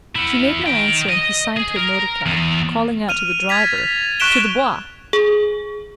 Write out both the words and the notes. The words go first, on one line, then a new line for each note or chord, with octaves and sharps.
She made no answer, and he signed to a motor-cab, calling out to the driver: "To the Bois!"
E4 F#5
D#3 G5
D#5
G#4
A#4
E2
F6 D#7 F7
G#6 A6 B6 F7
B6
C#6 F#6 B6 D7 E7 G7
G#4